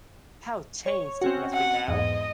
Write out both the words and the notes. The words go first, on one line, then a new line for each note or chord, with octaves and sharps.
How changed it must be now!
C#5
C4 C#4 F#4
F#5
E2 G#2 D#5